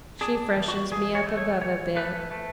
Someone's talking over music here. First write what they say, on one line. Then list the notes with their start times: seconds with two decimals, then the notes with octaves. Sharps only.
She freshens me up above a bit.
0.21 D4 G#4
0.56 E3
0.68 F#4
0.91 E3 G#4
1.15 C#5
1.26 A3
1.37 C#5
1.61 E3 C#5
1.96 A3 B4
2.31 A3